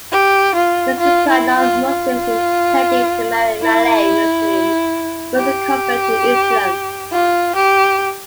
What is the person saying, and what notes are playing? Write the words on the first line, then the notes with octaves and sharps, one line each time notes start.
These require non-Muslims intending to marry Malay-Muslims first to convert to Islam.
G4
F4
F4
E4
F4
F4
E4
G4
F4
G4